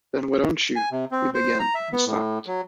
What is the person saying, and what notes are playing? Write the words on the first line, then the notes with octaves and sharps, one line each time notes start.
"Then why don't you —?" he began, and stopped.
G#5
C3
C4
C5
A#5
E5
B3
A2
F#3